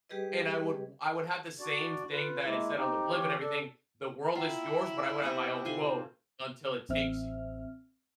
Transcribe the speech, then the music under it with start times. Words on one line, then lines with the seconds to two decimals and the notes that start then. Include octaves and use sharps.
And I would w I would have the same thing that it said on the blimp and everything, "The world is yours." But, I would have my own quote, "Until it takes you."
0.09 G3 G4 G#4 B4 D#5
1.59 D4 F#4 D5
2.11 F4 B4
2.45 G#3 A#3 E4
2.76 C4 D#4 G4
3.11 E3 G4 C#5
3.39 D4 A4
4.35 E4 F4 F#5 G5 A#5
5.22 C3 F#5 G#5 D#6
5.65 D#4 F4 A4 F5 G#5 C6
6.89 A1 A2 C4 E5 F6